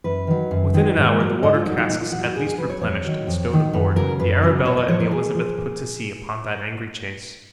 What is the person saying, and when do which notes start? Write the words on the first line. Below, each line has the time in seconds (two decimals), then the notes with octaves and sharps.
Within an hour, the water-casks at least replenished and stowed aboard, the Arabella and the Elizabeth put to sea upon that angry chase.
0.04 F#2 B4
0.27 D#3 F#3
0.51 F#2
0.74 D#3 F#3
0.97 G#2
1.20 F#3
1.43 G#2 D#5
1.54 F4
1.66 F#3 D#4
1.77 D#4
1.89 A#2 D#4
2.01 F4
2.12 F#3 F#4
2.24 F#4
2.35 A#2 G#4
2.46 G#4
2.58 F#3 B4
2.70 C#5
2.81 F2 C#5
3.04 D#3 F#3
3.27 F2
3.50 D#3 F#3
3.73 F#2 B4
3.96 C#3 F#3 A#4
4.20 F#2 B4
4.42 C#3 F#3
4.65 A#2 C#5
4.77 D#5
4.88 F3 C#5
5.00 A#4
5.11 A#2 G#4
5.35 F3
5.58 A#2